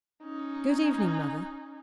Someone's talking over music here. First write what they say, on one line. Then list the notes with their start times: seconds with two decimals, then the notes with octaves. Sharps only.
'Good evening, Mother.'
0.23 C#4 D#4